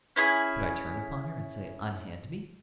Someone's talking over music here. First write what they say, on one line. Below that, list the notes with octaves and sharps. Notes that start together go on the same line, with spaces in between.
Could I turn upon her and say "Unhand me"?
C#4 E4 G#4